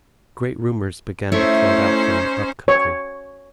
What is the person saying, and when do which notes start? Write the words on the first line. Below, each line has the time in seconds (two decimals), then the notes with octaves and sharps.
Great rumours began to float out from the up-country.
1.32 A3 C#4 D#4 E4 C5 C#5
2.68 C#5